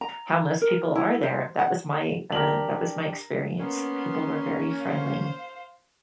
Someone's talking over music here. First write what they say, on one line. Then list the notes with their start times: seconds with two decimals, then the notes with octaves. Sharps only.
how most people are there. That was my, uh, that was my experience. People were very friendly
0.01 A#5
0.62 A#4
0.95 E4
1.23 C5
1.59 F#5
2.32 D4 G4 A#4 F#7
3.60 A#3 B3 C#4 C6
4.83 C5 F5